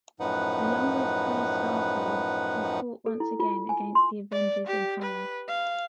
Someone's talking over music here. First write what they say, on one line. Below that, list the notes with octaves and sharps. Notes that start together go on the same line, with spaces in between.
Along with Kree Starforce, he fought once again against the Avengers in Hala.
F#2 A2 F3 D#4 B4 F#5
A4
E4
F4
G#5
C6
D5
G4
B4
F5